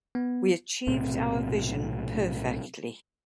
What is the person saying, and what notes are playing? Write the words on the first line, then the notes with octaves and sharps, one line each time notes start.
We achieved our vision perfectly.
B3
B1 A2 C3 C4